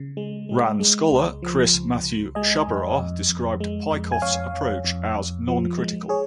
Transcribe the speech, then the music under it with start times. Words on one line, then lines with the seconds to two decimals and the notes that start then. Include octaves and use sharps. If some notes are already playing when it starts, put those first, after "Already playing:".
Rand scholar Chris Matthew Sciabarra described Peikoff's approach as "noncritical".
Already playing: C#3
0.17 G#3
0.49 G#3
0.80 G#3
1.11 C#2
1.42 F3
1.74 C#2
2.04 C#2
2.35 G#3 D#5 G#5
2.67 F2
2.98 F2
3.29 F2
3.60 G#3
3.91 F2
4.12 G#5
4.22 F2 C#5 F5
4.53 F2
4.84 F2
5.16 F2
5.48 F3
5.78 G#3
6.09 G#4 C#5